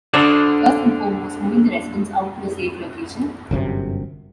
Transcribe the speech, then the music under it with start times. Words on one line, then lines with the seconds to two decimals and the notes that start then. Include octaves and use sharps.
First and foremost moving the residents out to a safe location.
0.14 D3 A4 C5 D5
3.51 G1 F#2 A2 C3